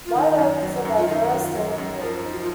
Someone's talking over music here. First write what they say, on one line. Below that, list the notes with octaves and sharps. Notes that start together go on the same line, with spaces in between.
White Oak is a diverse neighborhood.
F4
D#3 D#4
F#2
F#3
F#2
F4
D#3 D#4
F#2 F#4
F4
F#3
F#2
F3 A#4
D#4
F#4
F4